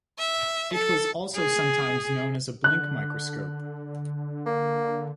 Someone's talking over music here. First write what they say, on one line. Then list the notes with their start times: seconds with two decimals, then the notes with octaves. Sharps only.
It was also sometimes known as a blink microscope.
0.19 E5
0.73 A4
1.36 G#4
2.64 D3 F#6
4.46 A#3